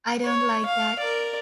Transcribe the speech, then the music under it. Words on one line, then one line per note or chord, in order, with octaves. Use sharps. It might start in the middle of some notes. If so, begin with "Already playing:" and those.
I don't like that.
C#5
F5
A#4 D5